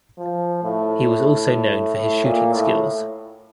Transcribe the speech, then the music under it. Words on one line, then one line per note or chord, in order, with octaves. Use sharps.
He was also known for his shooting skills.
F3
A2
A2
A#2
A2